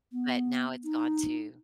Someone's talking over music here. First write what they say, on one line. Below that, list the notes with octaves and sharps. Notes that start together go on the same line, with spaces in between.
but now it's gone to
B3
D#4